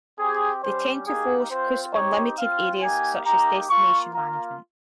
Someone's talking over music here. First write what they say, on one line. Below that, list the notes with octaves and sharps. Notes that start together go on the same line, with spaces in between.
They tend to focus on limited areas such as destination management.
C4 G4 G#4
G3 C#4 G4 C5
A#3 D#4 G4 G#4
C4 F4 C5
C4 D#4 G4 C#5
C4 F4 F5
A#3 D#4 G4 G#5
A#3 D#4 G4 A#5
A#3 F4 C#6
A#3 F4 A#5